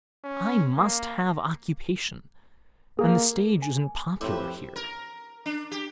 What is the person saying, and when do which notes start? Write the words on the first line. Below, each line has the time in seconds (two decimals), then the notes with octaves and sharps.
I must have occupation, and the stage isn't popular here.
0.24 C#4
0.77 A#3
2.99 A#3 G#4
3.62 G#5
4.21 F2 A2 G4 B4 C5 E5 D6
4.76 A#4
5.46 D4
5.71 G4